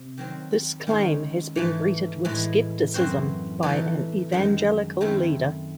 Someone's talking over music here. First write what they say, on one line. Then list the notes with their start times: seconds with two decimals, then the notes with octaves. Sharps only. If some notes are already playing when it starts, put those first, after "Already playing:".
This claim has been greeted with skepticism by an evangelical leader.
Already playing: C3
0.18 D#3 F#3 C4
0.87 D#3 G#3 C#4 G#4 C5
1.56 G#2 E3 A3
2.25 A2 E3 G#3
2.94 F#2 E3 C4 F#4 C5
3.63 E3 A3 D#4 A4
4.32 F#2 D#3 G#3
5.01 F#2 D#3 A3 C4 E4